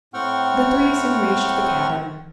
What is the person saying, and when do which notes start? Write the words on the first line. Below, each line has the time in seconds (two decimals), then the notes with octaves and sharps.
The three soon reached the cabin.
0.14 A2 C4 F#5 G5 C#6 F6